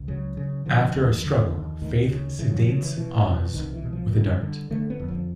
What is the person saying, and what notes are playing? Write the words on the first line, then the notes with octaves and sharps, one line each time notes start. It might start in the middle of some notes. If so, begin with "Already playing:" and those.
After a struggle, Faith sedates Oz with a dart.
Already playing: C#2
C#3 F#3
C#3
D3 F3
D#2
D3
D#2
D2 D#3
C#3
C#3 E3
F3
C#3
E3
B2 E3
B2
C2 D#3
E3
B2
F3
D3 G3
D3
D3 A3
B3
F2
F3